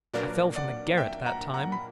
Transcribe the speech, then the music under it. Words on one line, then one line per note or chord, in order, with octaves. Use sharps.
I fell from the garret that time.
A#2 F#3 A#3 D4 A#4 B4 D5
D5 F#5
E5 G5
F#5 A#5
F#5 A#5
B5